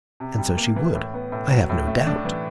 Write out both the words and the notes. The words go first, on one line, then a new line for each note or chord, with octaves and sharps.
And so she would, I have no doubt.
C3
G3
A#3
E3
A2
B3
A2
F#3
A2
A3
D4
E3